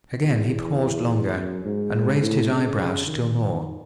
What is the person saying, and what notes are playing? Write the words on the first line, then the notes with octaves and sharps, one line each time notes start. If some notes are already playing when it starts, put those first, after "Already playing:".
Again he paused longer, and raised his eyebrows still more.
E2
F#2
G#2
A2
C#3
D#3